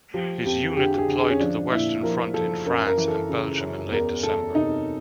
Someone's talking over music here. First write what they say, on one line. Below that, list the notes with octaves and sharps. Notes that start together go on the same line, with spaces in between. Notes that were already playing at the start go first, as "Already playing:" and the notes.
His unit deployed to the Western Front in France and Belgium in late December.
F3 G4
F2 G4
G#4
D3 G4
G4
G#4
D3
G#4
C#4
F3 D4
A#2 E4
F3 A#4
F3 A4
F#2 A#4
A#4
E3
A4
C#3
F#2
E2 A#4
E2 A4
C3 D#4